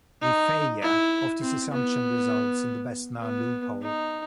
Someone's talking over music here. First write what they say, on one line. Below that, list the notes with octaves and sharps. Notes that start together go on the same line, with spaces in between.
The failure of this assumption results in the best known "loophole".
D#4
E4
C4
B3
B3
D#4